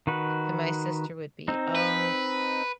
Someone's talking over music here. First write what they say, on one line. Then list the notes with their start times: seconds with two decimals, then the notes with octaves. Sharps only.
And my sister would be, "Oh,
0.07 D#3 F#4 B4
1.48 C4 D#4
1.75 B4